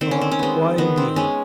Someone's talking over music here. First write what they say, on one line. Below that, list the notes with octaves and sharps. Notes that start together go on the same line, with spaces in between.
Ah! why indeed?
D#3 C4
C#4
C4
C#4
G#3 B3 C4
D#3 B3
C4
G#3 B3 C#4